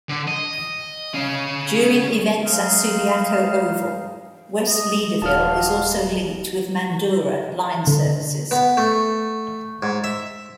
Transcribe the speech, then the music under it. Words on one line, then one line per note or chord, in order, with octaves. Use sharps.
During events at Subiaco Oval, West Leederville is also linked with Mandurah line services.
D3
D#5
C#4 F5
F#3 G#3 D#4 F5
D#5
D#1 F#4 F5 A5 D#6 F6
D3
B3
A3
G#2
E5